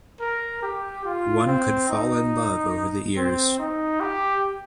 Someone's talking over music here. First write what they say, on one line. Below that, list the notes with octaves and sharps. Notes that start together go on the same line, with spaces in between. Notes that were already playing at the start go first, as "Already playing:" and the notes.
One could fall in love over the ears.
A#4
G4
F4
C4
D#4
C4
D#4
G4